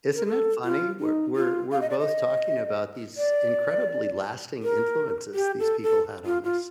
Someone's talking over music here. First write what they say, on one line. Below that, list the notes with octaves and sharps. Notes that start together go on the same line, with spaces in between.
Isn't it funny? We're we're we're both talking about these incredibly lasting influences these people had on us.
A#4
A4
F4
D#4
F4
F5
D#5
D5
D#5
D5
A#4
G4
A4
A4
F4
F4